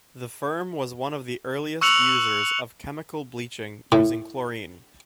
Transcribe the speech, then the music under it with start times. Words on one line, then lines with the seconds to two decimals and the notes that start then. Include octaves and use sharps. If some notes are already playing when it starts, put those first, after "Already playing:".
The firm was one of the earliest users of chemical bleaching using chlorine.
1.81 C#6 E6 F#6 C#7 F7 F#7
3.92 A2